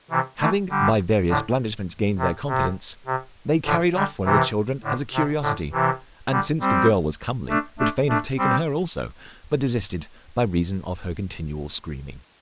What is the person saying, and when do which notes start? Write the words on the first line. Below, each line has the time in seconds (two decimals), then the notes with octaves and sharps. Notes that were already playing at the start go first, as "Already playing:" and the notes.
Having, by various blandishments, gained their confidence, they carried off one of the children as a curiosity, and, since the girl was comely, would fain have taken her also, but desisted by reason of her continual screaming.
0.11 C3 E3
0.40 E3 A3
0.70 D3 G3
1.29 A2 D3
2.18 C3
2.47 C3
3.06 C3
3.66 A2 D3
3.95 D3 G3
4.24 C3 E3
4.83 A2 D3
5.13 C3
5.42 A2 D3
5.72 C3 E3
6.31 D3 G3
6.60 G3 C4
7.49 A3 D4
7.79 A3 D4
8.09 A3 D4
8.38 G3 C4